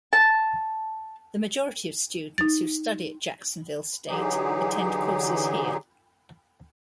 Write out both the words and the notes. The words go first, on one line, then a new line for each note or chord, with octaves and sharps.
The majority of students who study at Jacksonville State attend courses here.
A5
D#4 A6
D3 E3 F#3 D#4 G4 G#4